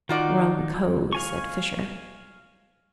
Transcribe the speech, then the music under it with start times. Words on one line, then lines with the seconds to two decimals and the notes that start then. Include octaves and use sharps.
"Rum cove," said Fisher.
0.09 D#3 D#4 F4 F#4 D5
1.13 F5 G#5 C#6